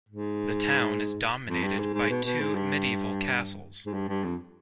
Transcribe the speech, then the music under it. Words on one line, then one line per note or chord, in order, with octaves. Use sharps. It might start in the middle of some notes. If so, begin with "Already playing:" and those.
The town is dominated by two medieval castles.
G#2
F2
G2
G#2
G#2
B2
B2
G#2
G2
G#2
G2
G2
F2